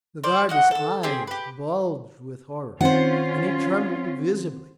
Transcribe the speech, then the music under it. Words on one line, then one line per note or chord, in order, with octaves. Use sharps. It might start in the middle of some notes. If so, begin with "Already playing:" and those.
The guarde's eyes bulged with horror and he trembled visibly.
C5 D5 F5
F#4 D#5 F#5
A4 E6
C4 G4 G#4
G4 B4
D#3 C4 C#4 F4 C5 F#5